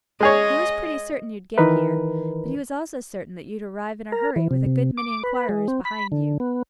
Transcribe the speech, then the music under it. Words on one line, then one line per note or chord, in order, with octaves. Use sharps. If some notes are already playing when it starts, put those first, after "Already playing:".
He was pretty certain you'd get here, but he was also certain that you'd arrive in a hurry with a good many inquirers behind you.
G#3 G#4 C#5 D#5
D#3 E3 D#4 A#4 B4
A#4
E3
C3
C3
D6
B4
G#3
C4
B5
D3
B3